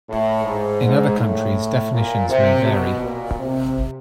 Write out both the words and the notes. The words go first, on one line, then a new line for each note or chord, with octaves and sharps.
In other countries definitions may vary.
A2
G#2
G#2
A2
A#2
C3
B2
A#2
C3